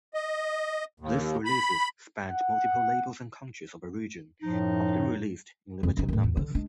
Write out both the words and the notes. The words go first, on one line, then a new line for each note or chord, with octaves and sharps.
These releases spanned multiple labels and countries of origin, often released in limited numbers.
D#5
D#2
B5
F#5
F#2 A2 F3 D#4
F2
F#1 D#4
D#2 A2
E2
D3
G#3 D4